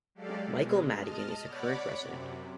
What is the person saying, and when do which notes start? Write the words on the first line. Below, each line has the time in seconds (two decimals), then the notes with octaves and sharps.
Michael Madigan is a Current resident.
0.15 F#3 G#3 G4 A4 D5 F5
0.46 B2 G#3
0.96 D#5 A5 F6
1.45 C#5 D5 F#5 B5 D6
1.96 F#2 C3